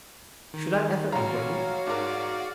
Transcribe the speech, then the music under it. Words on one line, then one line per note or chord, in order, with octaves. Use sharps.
Should I ever awake?
D#3
A1 F#4 C#5 F5 A#5
G#2 A#4 D5